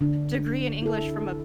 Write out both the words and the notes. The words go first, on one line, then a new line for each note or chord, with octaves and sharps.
degree in English from a p
D3 D4
E4 A4